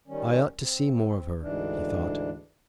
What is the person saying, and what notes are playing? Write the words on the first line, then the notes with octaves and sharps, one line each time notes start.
"I ought to see more of her," he thought.
D#3 G3 C#4
C4
D2 G#2 E3 D4